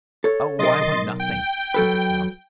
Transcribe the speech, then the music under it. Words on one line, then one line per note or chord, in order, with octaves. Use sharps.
"Oh, I want nothing," said the clown.
A4 C#5
B1 A#4 D#5 C6 A6
G5
F#3 A4 B4